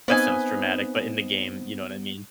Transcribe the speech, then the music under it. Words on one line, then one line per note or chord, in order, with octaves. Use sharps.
that sounds dramatic, but in the game, you know what I mean.
B3 C4 D#4 B4 C5 D#5 G#5